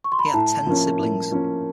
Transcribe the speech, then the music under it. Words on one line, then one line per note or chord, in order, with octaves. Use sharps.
He had ten siblings.
C#6
C6
B5
A#5
A2 A5
F3 A#3 C#4
A2
F3 A#3 C#4